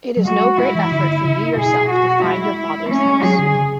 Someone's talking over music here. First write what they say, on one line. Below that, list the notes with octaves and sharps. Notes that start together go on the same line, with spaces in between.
It is no great effort for you yourself to find your father’s house.
F#3
G#3 F#4
G#3 E4
E3
D3
C#3
B2 G#4
F#4
G#3 E4
A3 C#4
G#3
F#3 G#4
D3
C#3